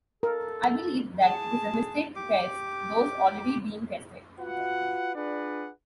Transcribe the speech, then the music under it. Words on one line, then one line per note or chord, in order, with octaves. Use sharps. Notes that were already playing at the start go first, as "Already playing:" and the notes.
I believe that it is a mistake to test those already being tested.
A4 A#4
G#4 A5
G4 D6
F4 F#4 B4 F#5
D4 F4 G#4 B4 D5 F#5